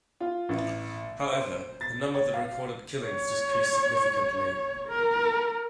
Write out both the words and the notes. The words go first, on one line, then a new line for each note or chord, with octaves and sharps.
However, the number of the recorded killings decreased significantly.
F4
A1
C5
A6
C#5
F5
C#5
A#4